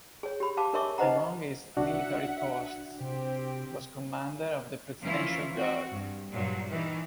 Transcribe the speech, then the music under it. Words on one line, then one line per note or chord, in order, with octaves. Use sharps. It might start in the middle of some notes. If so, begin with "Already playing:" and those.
Among his military posts was Commander of the Presidential Guard.
G#4 C#5
G4 B5
G4 F5 A5 D6
D4 A#4 C#5 E5 C#6 D6
D#4 B4 C5 D#5 F#5 A#5
C2 D4 F#4 E5 F#5
C3 C4 G4
E3 F3 A#3 C#4 E4 F4
C4 F#4
G2
G2 A#2 F#3
D#3 E3